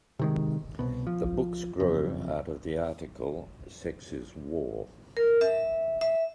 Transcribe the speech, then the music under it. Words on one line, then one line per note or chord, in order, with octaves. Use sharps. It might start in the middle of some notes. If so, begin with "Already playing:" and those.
The books grew out of the article Sex Is War!
C3 D#3 G#3
C2 B2
F3
F#1 F2
A#4
E5
E5